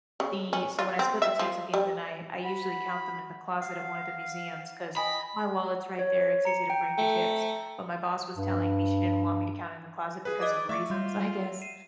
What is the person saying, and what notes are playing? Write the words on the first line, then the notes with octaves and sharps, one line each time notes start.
the so when I split the tips at the end of the night, I usually count them in the closet of one of the museums 'cause my wallet's right there; it's easy to break the tips. But my boss was telling me she didn't want me to count in the closet because of reasons, I guess,
C#3
C#4
F4
C4
E5
F3
G3
F#4 F#5 B5
F5 F#5
D#5 G5 G#5 B5
C#5
A#5 C#7
G5
A3 G5
G2
G#4 B4
D5 D#5 D#6 G#6
A3 D5 E5 C#6
G3 F4 G6
C7 D#7 E7